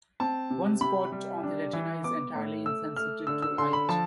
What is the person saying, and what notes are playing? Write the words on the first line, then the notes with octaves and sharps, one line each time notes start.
One spot on the retina is entirely insensitive to light.
C4 A5
C3
C3 B5
G3
D4
E3
B3 D6
A2
A3 E6
A3 F6
D3 E6
E6
D3 C6
B5
F3 A5